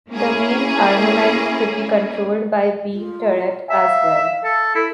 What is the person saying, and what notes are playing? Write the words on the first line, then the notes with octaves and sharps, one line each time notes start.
The main armament could be controlled by 'B' turret as well.
A#3 C#4 E4 G#4
F4
E5 F5
A4
E4 A4